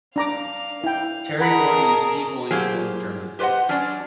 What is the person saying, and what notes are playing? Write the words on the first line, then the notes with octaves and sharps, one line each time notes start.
Terry Gordy and Steve Williams won the tournament.
D4 F5 A#5 D6
E4 G5
G#4 A#4 D#5 F#5 A5 B5
F#3 A#3 G4 G#4 C5
G4 B4 C5 D5 D#5 F#5
F#3 C#4 D4 D5